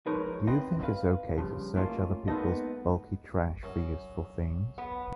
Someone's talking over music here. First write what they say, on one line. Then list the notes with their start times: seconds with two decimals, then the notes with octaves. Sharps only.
Do you think it's okay to search other people's bulky trash for useful things?
0.06 F3 G#3 D#4 A#4 B4 C#5
0.47 C4 B4 D#5
0.83 B4 F5
1.38 G2 C#3 F3
1.76 A3 A#3 C#4 F4 A#4 D#5
2.28 G#3 A#3 B3 D#4 A4 D#5
3.63 F#2
4.78 B3